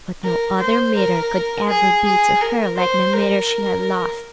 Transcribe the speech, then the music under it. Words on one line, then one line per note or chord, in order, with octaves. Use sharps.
But no other mirror could ever be to her like the mirror she had lost.
A#4
C5
A#4
G#4
G#4
A#4
C5
A#4